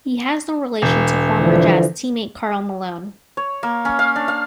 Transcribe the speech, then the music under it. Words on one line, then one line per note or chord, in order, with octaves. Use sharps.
He has no relation to former Jazz teammate Karl Malone.
E1
D3 E3 F3
C#5
A#3
C#4
F5
D4
F5